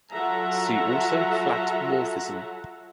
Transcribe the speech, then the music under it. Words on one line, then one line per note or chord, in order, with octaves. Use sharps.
See also flat morphism.
F#3 F4 A4 E5 F#5 A#5